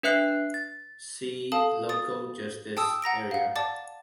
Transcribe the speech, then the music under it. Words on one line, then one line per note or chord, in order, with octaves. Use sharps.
See: Local justice areas.
D4 B4 E5 F#6 C7
A6
A4 F5 A5 D#6
D#6 A6
G5 A5 D#6 E6
F#5 A#5 A#6 D7
F5 F#5
D5 A5 D6 A6